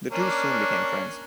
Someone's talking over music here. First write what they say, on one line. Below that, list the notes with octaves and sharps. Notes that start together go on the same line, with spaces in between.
The two soon became friends.
A#3 C#4 D4